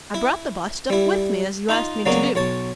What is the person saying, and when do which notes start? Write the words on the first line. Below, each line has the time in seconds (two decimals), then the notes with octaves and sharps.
I brought the bust up with me, as you asked me to do.
0.14 E4
0.90 G3 E4
1.69 D#4 F4
2.06 C#3 F#3 A#3 B3 C#4 D4
2.35 B1 C#5 A5